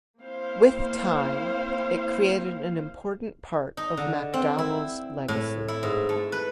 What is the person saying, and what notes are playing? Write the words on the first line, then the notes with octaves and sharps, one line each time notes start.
With time, it created an important part of MacDowell's legacy.
A#3 C4 E4 C5 F5
D#4
D3
C4
E4
A2
E4
G#2
A3
B4